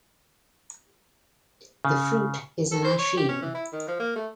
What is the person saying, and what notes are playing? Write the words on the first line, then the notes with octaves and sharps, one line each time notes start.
The fruit is an achene.
C#3
A4
C5
C#5
G4
C#4
E3
E4
D#3
F3
A#3
A3